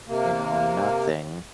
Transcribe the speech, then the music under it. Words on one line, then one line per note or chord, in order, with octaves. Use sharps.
you know, nothing
C3 A#3